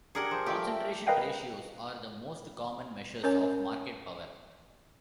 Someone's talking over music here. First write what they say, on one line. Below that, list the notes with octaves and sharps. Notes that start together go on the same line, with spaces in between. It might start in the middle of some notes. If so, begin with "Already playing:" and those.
Concentration ratios are the most common measures of market power.
D4 G4 G#4 A#4 F#5 D6 G#6 C#7
F3 A5 G6
A3 F4 G4
E5 A5
A#4 B4 D#5 F5 G5 G#5
C#4 A#4 C#5 G#5